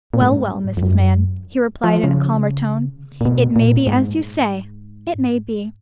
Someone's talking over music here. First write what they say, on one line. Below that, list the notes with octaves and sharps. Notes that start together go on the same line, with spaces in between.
'Well, well, Mrs. Mann,' he replied in a calmer tone; 'it may be as you say; it may be.
A#2
G#2
F2
F#2
F3
C#3
A#2
B2
A#2
G#2